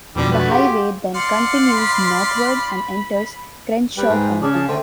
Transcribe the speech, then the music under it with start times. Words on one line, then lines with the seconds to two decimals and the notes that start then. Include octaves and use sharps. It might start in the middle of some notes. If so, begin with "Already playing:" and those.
The highway then continues northward and enters Crenshaw County.
0.16 F2 B2 D3 G3 D4
0.32 A3 F#4 B4
0.50 G4 G#4 F5 F#5 C6
1.15 D5 F5 F#5 C6
1.77 B5
3.97 G3 B4 G5
4.09 G#2
4.42 C#3 D4 G#4 D5
4.54 F5 A5
4.68 D3 A3 C5 G5